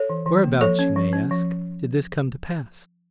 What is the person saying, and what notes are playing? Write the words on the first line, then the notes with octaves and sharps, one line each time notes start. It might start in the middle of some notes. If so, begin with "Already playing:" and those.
Whereabouts, you may ask, did this come to pass?
Already playing: A4 C#5
E3
E3
A#3
F3 A4 C#5
C#4
F3
C#4
F3